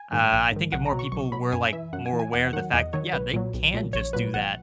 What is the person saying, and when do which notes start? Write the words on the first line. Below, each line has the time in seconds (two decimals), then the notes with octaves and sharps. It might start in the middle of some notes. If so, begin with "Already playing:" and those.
uh, I think if more people were, like, more aware of the fact yeah, they can just do that,
Already playing: G#5
0.12 G#2 D#3
0.32 A#1
0.52 G#2 D#3
0.72 B1 F#5
0.86 A#5
0.92 B2 F#3
0.99 C#6
1.12 B1 C#6
1.32 B2 F#3 B5
1.52 F#2 G#5
1.73 E3 E5
1.93 F#2 F#5
2.06 G#5
2.13 E3
2.19 G#5
2.33 E2 F#5
2.53 D#3 F#3 F#5
2.73 E2 D#5
2.93 D#3 F#3 C#5
3.13 B1 B4
3.33 A#2 F#3
3.54 B1
3.74 A#2 F#3
3.93 A#1 C#5
4.13 A#2 F#3 B4
4.34 A#1 F#5